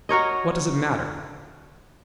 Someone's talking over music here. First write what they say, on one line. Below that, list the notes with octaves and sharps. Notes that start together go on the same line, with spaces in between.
What does it matter?
F#4 A#4 C#5 D#5